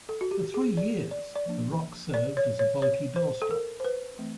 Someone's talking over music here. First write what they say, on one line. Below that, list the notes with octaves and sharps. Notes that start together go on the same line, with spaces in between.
For three years, the rock served as a bulky doorstop.
A4
F#4
G4
G#4
D5
D5
D5
F3 A#3 D4
D5
C#5
C#5
C#5
C5
A4
A#4
C5
B4
E3 A3 C4